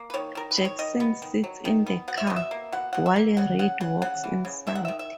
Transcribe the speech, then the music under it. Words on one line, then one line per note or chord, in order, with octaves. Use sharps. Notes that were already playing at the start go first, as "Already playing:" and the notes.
Jackson sits in the car, while Reid walks inside.
Already playing: A#3
B4
D#3 C#5
D#3 A#4
B4
D#3
C#5
D#3 D#5
B3
D#3
F#3
D#3
B3
B2 F#5
E5
B2 D#5
E5
A#3
B2 F#5
B2 F#5
E5
A#3
C#3 F#5
C#3 F#5
C#3 F#5
C#3 F#5
E3
C#3
D#3 E5
F#5
D#3 E5
E5